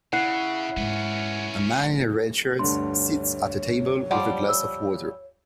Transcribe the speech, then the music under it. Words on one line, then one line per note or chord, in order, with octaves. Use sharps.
A man in a red shirt sits at a table with a glass of water.
C#3 E4 F#5 F#6 C7
G#2 G#3 C#4 B4
D2 G2 C#5 C6
F3 G3 D5 F#5
E6